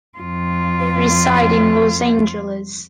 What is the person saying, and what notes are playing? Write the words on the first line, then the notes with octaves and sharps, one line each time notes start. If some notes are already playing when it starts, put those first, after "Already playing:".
They reside in Los Angeles.
F2 F4